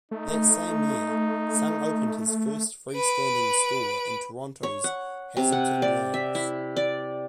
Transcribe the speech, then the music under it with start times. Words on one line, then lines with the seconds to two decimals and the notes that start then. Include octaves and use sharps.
That same year, Sung opened his first freestanding store in Toronto's Hazelton Lanes.
0.11 A3 D#4
2.93 B4 D7
4.63 C#5
4.84 F#5
5.37 C3
5.52 F#5
5.82 D5
6.14 E5
6.35 E4
6.76 D5